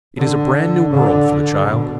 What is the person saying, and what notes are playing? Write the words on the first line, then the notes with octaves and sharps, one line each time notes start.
It is a brand-new world for the child.
D3
D3
B2